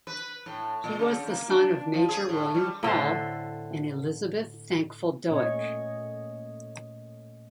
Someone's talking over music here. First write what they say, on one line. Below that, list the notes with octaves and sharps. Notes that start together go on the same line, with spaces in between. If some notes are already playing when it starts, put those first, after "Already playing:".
He was the son of Major William Hall and Elizabeth Thankful Doak.
B4
A2
A#2
C#3
A#3
D4
F3
G#4
A2
G3
A2 D3 A4 C5
A#2 A3 C#4 C#5 D#5